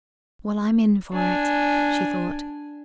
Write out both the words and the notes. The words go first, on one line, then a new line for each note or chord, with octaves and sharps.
"Well, I'm in for it," she thought.
D4 G#5